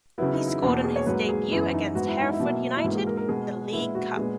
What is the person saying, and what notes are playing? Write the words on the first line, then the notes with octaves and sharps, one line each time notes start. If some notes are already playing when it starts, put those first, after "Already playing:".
He scored on his debut against Hereford United in the League Cup.
C#3 F#3 B3 E4
D#4
E4
E2 B2 A#3 F#4
G#4
C#5
G#2 F#3 A#3 B4
G#4
F#2 E3 B3 E4
D#4
G#2 F#3 B3 F#4
E4
D#4
E4
B2 F#3 A#3
E4
G#2 E3 A#3 F#4
G#4
A#4
A#4
B2 G#3 B3 G#4
A#2 G#3 B3 E4
F#4
A#2 G#3 B3 G#4